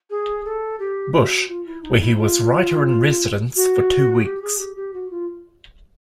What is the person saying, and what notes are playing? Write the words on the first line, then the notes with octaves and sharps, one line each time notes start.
Bush, where he was writer-in-residence for two weeks.
G#4
A4
G4
F#4
F4
E4
D#4
E4
F4
F#4
G#4
G4
G#4
G4
G4
F#4
F4